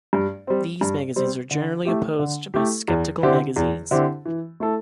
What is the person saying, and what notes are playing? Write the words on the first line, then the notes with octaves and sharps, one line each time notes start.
These magazines are generally opposed by skeptical magazines.
G2
G3 C4
G2
G3 C4
D3
A3 E4 G4
D3
A3 E4 G4
E2
D3 C4 E4 G4
E2
D3 C4 E4 G4
E3
A3 E4 A4